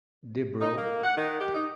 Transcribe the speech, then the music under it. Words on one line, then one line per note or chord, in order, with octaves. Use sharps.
The Bro.
D#4
A#3
F#5
D#3
G4
D#4